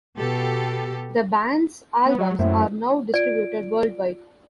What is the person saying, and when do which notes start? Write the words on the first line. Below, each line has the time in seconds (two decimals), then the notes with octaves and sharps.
The band's albums are now distributed worldwide.
0.16 B2 G4 A4
2.06 B3
2.19 F#3
2.39 F#2 A2 E4 C5
3.14 F4 D5 D7